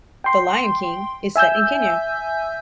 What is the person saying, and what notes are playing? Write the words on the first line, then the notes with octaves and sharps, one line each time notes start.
The lion king is set in Kenya.
G5 C6
E5 G#5 E6 G6